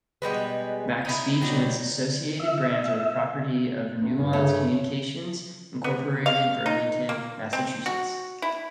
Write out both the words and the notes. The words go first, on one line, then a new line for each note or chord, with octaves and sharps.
MacSpeech and its associated brands are the property of Nuance Communications, Incorporated Burlington, Massachusetts.
B2 G3 G#3 B4
D#4 E4
B2 F#3 G3
E5
A1
G2
C#3 A3 C#5
B3
F5
D#4
A#3
C4
F#4
E4